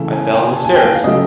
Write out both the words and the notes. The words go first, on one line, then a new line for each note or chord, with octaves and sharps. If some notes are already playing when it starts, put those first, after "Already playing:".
I fell in the stairs.
Already playing: C#3 E3 A3
G#5
G5
G#5
A5
G#5
G5
F5
F5
C#3 F#3 A3 D#5